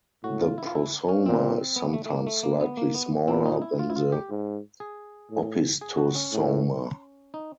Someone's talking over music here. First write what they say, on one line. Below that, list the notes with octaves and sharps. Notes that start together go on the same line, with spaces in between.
The prosoma is sometimes slightly smaller than the opisthosoma.
A2 F#4
F4
E4
F4
E4
C#4
A#2 C4
B3
A3
A3
A#3
A3
A#3
B3
A#3
B3
A#2 C4
D#4
E4
F4
E4
F4
G4
G#2
G#4
A2
G#4
F#4
C#4
A2
D#4